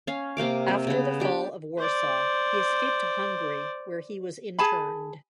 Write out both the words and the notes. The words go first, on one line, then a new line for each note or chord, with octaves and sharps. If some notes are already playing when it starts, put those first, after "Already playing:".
After the fall of Warsaw he escaped to Hungary, where he was interned.
C#4 F5
C3 A#3 F5 D6
C4
C#3 B3
D4 G4
C5 D5
G#4 G#5 A5 B5